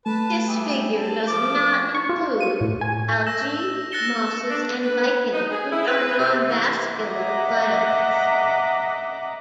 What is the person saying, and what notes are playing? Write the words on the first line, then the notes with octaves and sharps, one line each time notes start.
This figure does not include algae, mosses, and lichens, which are non-vascular plants.
A3 B4 A5
G3 G#4 E5
A5
F3 D6
C#6
F4
D#7
A2
G#5
E6 A#6 E7
F#6 A6 A#6 C#7 E7 G7
D4
B4
D#4
G#4
E4
B4
C3
E3
D#5 E5 F#5 A#5 D6